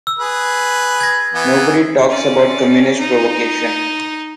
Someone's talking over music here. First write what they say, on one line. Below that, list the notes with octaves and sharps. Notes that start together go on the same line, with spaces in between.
Nobody talks about Communist provocation.
E6
G#4 B4
G#6 A#6
E3 B3
C#4 D5
D#4